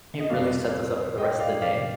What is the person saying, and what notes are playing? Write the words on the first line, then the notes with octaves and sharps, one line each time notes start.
it really sets us up for the rest of the day.
D#5
F2 C3 G3 A#3 D5 F5
D#5 G5
D5 F5
D5 F5